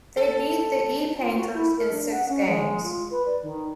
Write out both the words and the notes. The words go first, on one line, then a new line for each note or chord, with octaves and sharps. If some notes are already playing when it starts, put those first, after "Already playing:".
They beat the E-Painters in six games.
A4
F4
F#4
E4
A#4
D4
F#5
C#4
G#3
F4
B4
D5
D#3